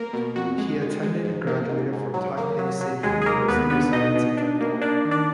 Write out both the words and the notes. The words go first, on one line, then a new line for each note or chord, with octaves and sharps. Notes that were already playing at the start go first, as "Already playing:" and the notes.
He attended and graduated from Taipei City University of Science and Technology.
Already playing: A#3 A#4
B2
F2 F#4
G#3
G#3
G#3
G#2
A#3
G#2
G#2
F#3
A#3
F#3
F#3
D#2 G#3 G#4
G#4
G#3 A#3 A#4
D#2 B3 B4
D3 B3 B4
B2 D#4 D#5
B2
D4
A#3
A#3 D4 D5
D#3
D4 D5